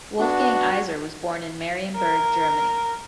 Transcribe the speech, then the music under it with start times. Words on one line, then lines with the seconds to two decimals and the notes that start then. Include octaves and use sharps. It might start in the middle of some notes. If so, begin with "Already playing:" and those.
Wolfgang Iser was born in Marienberg, Germany.
0.19 B3 D4 F#4
1.96 A#4